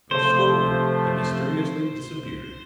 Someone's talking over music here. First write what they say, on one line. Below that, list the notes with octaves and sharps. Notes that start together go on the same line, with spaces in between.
Prascovie had mysteriously disappeared!
C3 F3 A3 C5